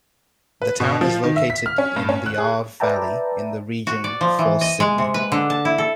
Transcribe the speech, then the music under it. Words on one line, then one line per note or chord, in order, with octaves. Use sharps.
The town is located in the Arve Valley, in the region Faucigny.
B4
B2
F3
D#3
E5
B6
F6
C#4
G2
C#4
F#6
G#4
B4 D5 E5 G5 A5 A#5
F#4
D5
F3
E3
D#5
G#3
C3
B4
D3
A5
E4
A4